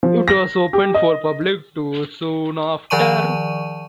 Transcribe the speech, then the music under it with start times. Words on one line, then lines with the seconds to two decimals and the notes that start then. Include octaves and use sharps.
It was opened for public tours soon after.
0.03 F3
0.28 A#6
0.73 G4
0.94 D#5
2.90 D#3 F3 D5 A5 C#6 D#7